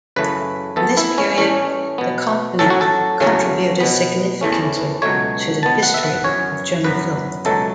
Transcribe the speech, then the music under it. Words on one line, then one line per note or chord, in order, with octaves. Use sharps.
In this period, the company contributed significantly to the history of German film.
F#2 C#3 E3 A3 B4
E2 E3 B3 A4
E4
C#4
A2 E3 A3 C#4
B2 B3
A2 F#3 C#4 A4
F#4
A4
E2 C#3 F#3 A3 C#4
B2 B3
E2 E3 A3 C#4
C#2 B2 F#3 A3 C#5
B2 B3 A5
F#5
E5
F#5
F#2 E3 C#4 C#5
F#2 F#3 B3 B4
C#2 B2 F#3 A3 A4